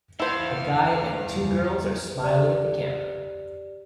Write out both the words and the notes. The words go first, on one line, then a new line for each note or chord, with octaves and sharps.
A guy and two girls are smiling at the camera.
E2 E4 C5 F5
G4 D5